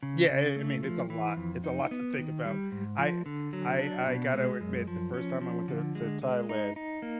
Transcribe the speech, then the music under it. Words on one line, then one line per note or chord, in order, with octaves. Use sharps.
Yeah, I I mean, it's a lot it's a lot to think about. I I I gotta admit the first time I went to to Thailand,
C#3
C#3
A3
F3
E3
F2
D#4
B3
D#3
G3
G#2
F3
D3
F#3
D4
B2
G#3
F#2
F3
C#4
F3
D3
G#3
G#3
D#4
D#4
A#3